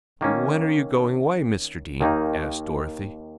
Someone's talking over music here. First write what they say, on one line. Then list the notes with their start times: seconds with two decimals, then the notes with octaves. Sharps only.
"When are you going away, Mr. Dene?" asked Dorothy.
0.21 D#3 A#3 C#4
2.01 D#2 D#3 A#3 D#4